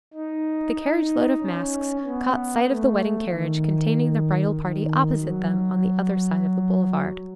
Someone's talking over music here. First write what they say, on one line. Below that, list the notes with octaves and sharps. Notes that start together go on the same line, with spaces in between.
The carriage-load of masks caught sight of the wedding carriage containing the bridal party opposite them on the other side of the boulevard.
D#4
D#4
C#4
B3
A3
D#3
D#3
F#3